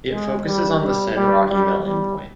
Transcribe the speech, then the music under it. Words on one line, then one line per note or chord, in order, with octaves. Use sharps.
It focuses on the Send Raw Email endpoint.
G#3
G3
G3
G3
G3
G3